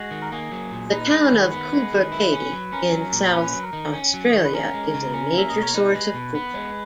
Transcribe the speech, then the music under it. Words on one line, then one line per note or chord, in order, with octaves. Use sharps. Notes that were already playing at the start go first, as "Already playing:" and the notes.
The town of Coober Pedy in South Australia is a major source of opal.
Already playing: G#3 F#4
D#3
A#4
A#3 G#4
F#3
A#2
D#4 B4
G#3
D#3
B3
G#3
D#3
E4
C#4
F#3
C#4 A#4
F#3
A#2
C#4 B4
F#3
A#4
D#3
C#4
F#3
D#5
D#3 C#5
B4
C#4 A#4
G#3
C#3
C#4
A#3 E5
B2 D#5
C#5
D#4 B4
G#3
B2
B3
G#3